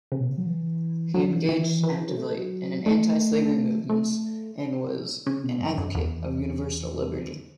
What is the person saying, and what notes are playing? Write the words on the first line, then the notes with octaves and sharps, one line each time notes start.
He engaged actively in anti-slavery movements and was an advocate of universal liberty.
C#3
B2
C#3
F#3
E3
F#3
E3
E3
E3
C#3
E3
F#3
A3
F#3
A3
A3
C#3
B2
F#2
F#2
E2